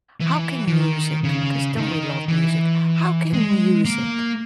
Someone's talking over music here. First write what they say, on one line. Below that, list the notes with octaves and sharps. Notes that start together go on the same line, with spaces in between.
how can music 'cause don't we love music? How can music
E3
E3
D#3
C#3
D#3
E3
G#3
A#3